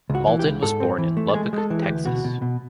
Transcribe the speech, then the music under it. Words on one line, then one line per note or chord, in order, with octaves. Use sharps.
Mauldin was born in Lubbock, Texas.
C#2
F#4
E3
G4
C#2
G#2 A4
C4
E3
A3
A4
G#3 G#4
G#3 A4
E3
G4
D2
B2 F#4
B2
B2